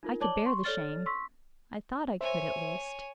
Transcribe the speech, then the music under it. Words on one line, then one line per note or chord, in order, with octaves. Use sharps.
I could bear the shame--I thought I could at least.
D#4 F4 A#4
C#5 D5 A5 D6 F#7 G7
C6 C#6
A4 C#5 D5 F6 A6
C6 C#6 E6 B6
C5 C#5 E5 G#5